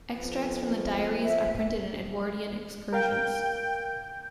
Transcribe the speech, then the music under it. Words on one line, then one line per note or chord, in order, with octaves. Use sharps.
Extracts from the diaries are printed in Edwardian Excursions.
F2 F3 B3 B4
E5
A#4 F5 G5 G6